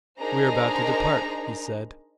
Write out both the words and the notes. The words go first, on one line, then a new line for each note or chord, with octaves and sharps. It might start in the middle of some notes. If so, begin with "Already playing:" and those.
"We're about to depart," he said.
D4 D#4 G#4 A#4 C5 A#5